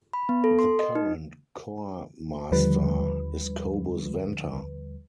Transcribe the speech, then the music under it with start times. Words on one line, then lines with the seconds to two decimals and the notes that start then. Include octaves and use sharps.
The current choir master is Kobus Venter.
0.13 B5
0.29 B3
0.44 A4
0.59 C6
0.79 D#5
0.95 D#4
2.52 D#2 D3 F3 G3 B4